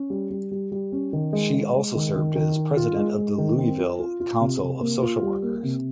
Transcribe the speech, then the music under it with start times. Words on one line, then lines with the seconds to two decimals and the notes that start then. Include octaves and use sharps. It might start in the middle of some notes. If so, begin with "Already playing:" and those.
She also served as president of the Louisville Council of Social Workers.
Already playing: C#4
0.10 G3
0.30 G3
0.51 G3
0.72 G3
0.92 C#4
1.13 D#3
1.33 G#3
1.54 G#3
1.74 G#3
1.95 D#3
2.16 D#3
2.36 D#3
2.56 D#4
2.76 F4
2.96 G#3
3.18 G#3
3.38 D#3
3.58 C4
3.79 F4
3.99 F4
4.20 F4
4.40 C3
4.61 C3
4.81 A#3
5.02 F4
5.22 G3
5.43 A#3
5.63 C3